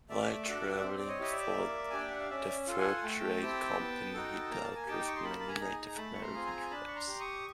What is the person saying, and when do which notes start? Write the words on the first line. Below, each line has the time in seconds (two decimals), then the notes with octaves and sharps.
While traveling for the fur trade company he dealt with many Native American tribes.
0.10 A3 D5 E5
0.47 D4 F#4 A4
0.83 C4
0.98 D5
1.08 C#5 D#5
1.19 E4 G4 D#5
1.31 D5 E5
1.57 A#3
1.90 D4 G4 G#5
2.00 G5
2.10 F#5
2.20 F5
2.30 C#4 D5 E5
2.67 F4 A4
2.79 F#5 G#5
2.97 G#5
3.03 A3 G5 A5
3.41 C4 E4 G4
3.76 B3
4.14 D#4 F#4 A4
4.51 A#3 A#5
4.63 A5
4.76 G#5
4.87 D#4 G4 G5 A5
5.00 D6
5.07 C#6
5.16 C6
5.24 A#3 A5 B5
5.40 A5
5.48 G#5 A#5
5.60 D#4 G#4
5.87 A#5
5.97 A3 A5 B5
6.14 C#6
6.21 A#5 C6
6.34 C4 F4 G#4
6.46 G#5 A#5
6.71 D4 A5 B5
6.88 C#6
6.95 A#5 C6
7.07 G4
7.20 C#6 D#6